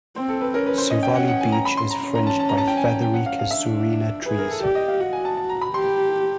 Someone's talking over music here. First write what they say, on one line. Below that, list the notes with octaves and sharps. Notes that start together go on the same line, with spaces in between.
Suvali beach is fringed by feathery casurina trees.
C4 C5
A4
B4
C#4 A#4
B4
C5
D#5
G5
F#5
F#5
G#5
A#5
B5
C6
A#5
C#4
A#5
A5
A5
A#5
A5
G5
G#5
G5
G5
F#5
F5
F5
D4 E5
G#4 B4
A#4
A4
G4 D5
D#5
F5
F#4 F#5
G#5
A5
A5
A#5
B5
G4 C6